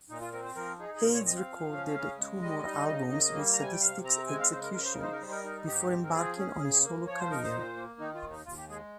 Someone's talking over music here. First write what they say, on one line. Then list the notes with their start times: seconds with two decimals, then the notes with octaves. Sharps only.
Hades recorded two more albums with Sadistik Exekution before embarking on a solo career.
0.09 A#2 D#4
0.21 F4
0.32 C4 A#4
0.44 C5
0.55 F3 A#4
0.79 D#4 G#4
0.94 G#4
1.02 A#2 A#4
1.14 C#5
1.26 C4 D#5
1.37 F5
1.49 F3
1.73 C#4
1.95 C#3
2.18 G#3
2.42 G3 D#5
2.65 D#4
2.89 C#3
3.11 A#3
3.35 G3
3.53 A#5
3.58 C3 G#5
3.72 G5
3.81 C3 F5
4.04 C4 A#5
4.28 G#3 G#5
4.39 F5
4.51 C#3 C5
4.63 A#4
4.74 C#3 A#4
4.84 C5
4.93 D#4 A#4
5.02 C5
5.12 A#4
5.21 G3 C5
5.31 A#4
5.44 D#4
5.67 G#2 G4
5.91 C4
6.04 A#4
6.14 F3 G#4
6.37 C#4
6.60 C#3
6.83 A#3
7.07 F3 C#5
7.19 C5
7.30 D#4 A#4
7.44 C5
7.53 A#2
7.76 A#3
8.00 D#3 D#4
8.15 F4
8.22 D#2
8.31 D#4
8.45 D#2 F4
8.57 G4
8.69 G#3 G#4